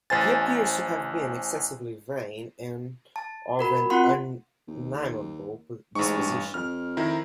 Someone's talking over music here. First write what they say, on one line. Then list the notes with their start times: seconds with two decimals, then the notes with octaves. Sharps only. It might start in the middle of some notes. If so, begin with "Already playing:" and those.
He appears to have been excessively vain and of an unamiable disposition.
0.10 A1 C5 G#5 A6
3.16 A5
3.59 F#4 A#4 B5
3.90 C4 F4 F#5 C6
4.68 D#2
5.95 A1 G#2 C#6
6.18 G2
6.54 F2 F6
6.97 D#3 E4 A#5